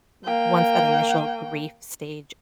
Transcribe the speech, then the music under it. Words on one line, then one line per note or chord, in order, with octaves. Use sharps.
O once that initial grief stage
A#3 G5